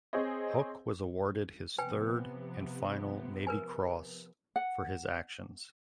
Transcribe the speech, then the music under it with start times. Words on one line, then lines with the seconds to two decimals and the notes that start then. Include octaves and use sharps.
Houck was awarded his third and final Navy Cross for his actions.
0.13 C4 G#4 C5 C#5 D#5
1.78 C3 F3 B3 B4 G5 G#5
3.47 A#4 B4 G#5
4.56 F#5